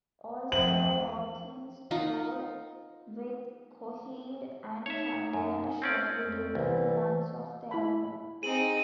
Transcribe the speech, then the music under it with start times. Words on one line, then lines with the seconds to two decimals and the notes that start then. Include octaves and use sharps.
Also, Hawkins toured with Coheed and Cambria shortly during the months of the album.
0.52 E2 F3 A3 C4 C5 E5 F#5 F#7
1.91 D#4 F4 F#5
4.86 D#4 C#5 E5
5.33 F#2
5.82 C4 C#4 D5
6.23 F2
6.55 C2 E3
7.71 E4 B5
8.43 C4 D#4 G#4 D#7 F#7